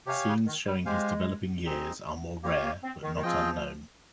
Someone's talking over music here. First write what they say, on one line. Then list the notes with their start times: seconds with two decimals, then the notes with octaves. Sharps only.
Scenes showing his developing years are more rare but not unknown.
0.06 C3 G4 C#5 F5 G#5
0.27 C#3
0.46 D#3
0.66 G3
0.86 G#3 G4 C5 F5 G#5
1.65 C4 D#4 G#4 D#5
2.43 A#3 G4 C#5 F5
2.63 A#3
2.83 C4
3.03 D#3
3.16 D#3
3.22 F3 C4 F4 G#4 D#5 G5